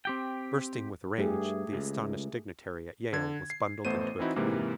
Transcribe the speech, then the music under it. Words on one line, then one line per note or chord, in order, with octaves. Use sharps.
Bursting with rage, the astonished dignitary at Yale was bundled into a canoe.
C4 G4 G5
G2 A3 G4 G#4
C#2
D3 G#6
C7
A1 A3 B3 C5 D#7
E3 C4 D#4 E4 F#4
G#2 C3 E3 A#3